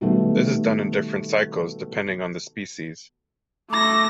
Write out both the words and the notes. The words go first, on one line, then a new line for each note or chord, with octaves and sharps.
This is done in different cycles, depending on the species.
B2 D#3 G3 A3 B3
A3 D6 A#6